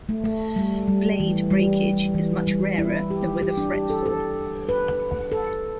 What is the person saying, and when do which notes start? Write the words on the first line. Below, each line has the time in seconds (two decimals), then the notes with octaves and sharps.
Blade breakage is much rarer than with a fretsaw.
0.09 A3
0.24 A3
0.56 G3
0.88 G3
1.20 E3
1.51 G3
2.14 E3
2.47 G3
2.78 E4
3.10 G4
3.42 G4
3.57 D4
3.74 G4
3.90 A4
4.06 A4
4.69 B4
5.32 A4